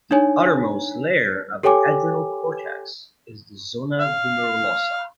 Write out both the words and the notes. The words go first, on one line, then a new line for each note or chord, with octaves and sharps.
The outermost layer of the adrenal cortex is the zona glomerulosa.
D4 D#4 C#5 G#5
G4 A4 C#5 G5 G#5 D6
F5